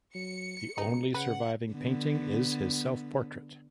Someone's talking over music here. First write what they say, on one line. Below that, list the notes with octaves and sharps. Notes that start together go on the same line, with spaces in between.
The only surviving painting is his self portrait.
F#3 C#7
C#2 D#4
C#3 B4 F#5
D3 B3